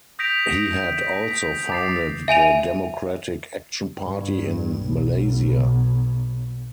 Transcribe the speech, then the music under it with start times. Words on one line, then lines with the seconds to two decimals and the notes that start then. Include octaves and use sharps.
He had also founded the Democratic Action Party in Malaysia.
0.19 D#6 G6 A#6 B6 D7 F7
1.13 B6
1.70 D6 A6 C7
2.28 E5 G#5 D#7 F7
4.03 G2
4.82 B1